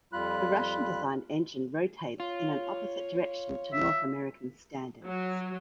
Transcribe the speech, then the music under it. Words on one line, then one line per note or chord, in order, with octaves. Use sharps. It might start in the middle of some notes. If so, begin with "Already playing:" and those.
The Russian-designed engine rotates in an opposite direction to North American standards.
F2 G3 F4 B5 F#6
F4 C#5
E5
F#3